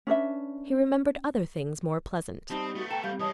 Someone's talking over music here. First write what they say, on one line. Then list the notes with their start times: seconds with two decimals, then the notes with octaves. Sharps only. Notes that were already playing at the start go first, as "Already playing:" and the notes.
He remembered other things more pleasant.
0.07 C#4 D4 B4 E5
2.50 G3 C4 D#4 A5 B5 D#6
2.75 A3 B3 F#4
2.91 A4 G5 A#5
3.03 G3 F5 G6
3.20 E3 G#3 C#5 D#5 A5 D#6